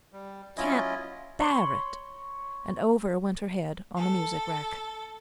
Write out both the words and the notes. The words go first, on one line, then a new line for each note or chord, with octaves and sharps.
"I can't bear it!" and over went her head on the music rack.
G3
F#3 C#4 E4 F4 D#5
C#5 B5 C6
A4